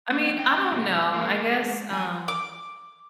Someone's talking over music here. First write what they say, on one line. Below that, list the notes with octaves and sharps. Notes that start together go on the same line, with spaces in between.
I mean, I don't know, I guess, um,
A#3 C4
C#4 G5
G#2 C3
G#3 A#3
F2 G#5
D6